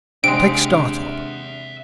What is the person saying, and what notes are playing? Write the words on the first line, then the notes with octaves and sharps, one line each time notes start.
Take Startop.
C3 G#3 D4 E5 F#5 D7